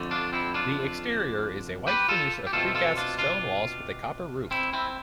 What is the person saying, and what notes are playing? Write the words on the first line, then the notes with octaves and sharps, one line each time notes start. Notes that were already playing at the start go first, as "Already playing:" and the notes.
The exterior is a white finish of pre-cast stone walls with a copper roof.
Already playing: F2 D3 A3
D4 F4
C4 E4
D4 F4
G4 B4
F4 A4
G4
B2 A3 C4 F4 A4
F4 A4
D4 F4
D4 F4
C4 E4
C4 E4